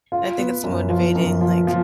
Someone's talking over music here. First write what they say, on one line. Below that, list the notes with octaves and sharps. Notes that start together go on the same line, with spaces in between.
And I think it's motivating, like,
F4
B3
F#2
F3
F#2
F3
F3